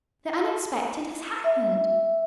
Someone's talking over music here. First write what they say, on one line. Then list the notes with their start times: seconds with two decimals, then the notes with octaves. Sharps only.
"The unexpected has happened!"
1.44 E5